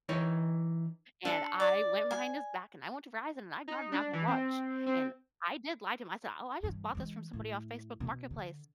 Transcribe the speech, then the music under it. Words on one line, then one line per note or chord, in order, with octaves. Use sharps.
and I went behind his back and I went to Verizon and I got an Apple Watch, and I did lie to him. I said, "Oh, I just bought this from somebody off Facebook Marketplace."
E3 D#4 C#5
D4 A4
D5
G#5
D#4
D4
E3
C4
C4
G2 E3
E3 G#3
A2
B2
D3